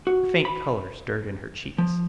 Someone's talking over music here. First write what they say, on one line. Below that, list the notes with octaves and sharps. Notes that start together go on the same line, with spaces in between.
A faint colour stirred in her cheeks.
F#4
B5
F3